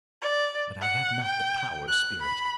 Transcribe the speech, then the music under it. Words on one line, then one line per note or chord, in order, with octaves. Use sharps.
But I have not the power, Spirit.
D5
F#5
G5
F#6
B5